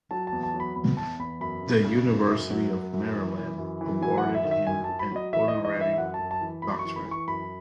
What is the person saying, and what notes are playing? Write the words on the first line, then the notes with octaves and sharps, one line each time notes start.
The University of Maryland awarded him an honorary doctorate.
F#3 A5
A5
E2
A5
F#3
B5
E2 B5
E2 A5
E2 B5
F#2 B5
C#3
C#3
F#2
F#2
F#3
F#2
F#2
E3
E3
F#2
E3
F#3 G#5
F#5
F#2
E5
D#3
E5
F#2 G#5
A5
F#3
B5
F#3 D#5
E3 E5
D#5
E3
D#5
E3 E5
E5
F#2 F#5
F#2 A5
A5
E3
F#2 B5
C#6
E3
B5
E3
C#6
F#2 B5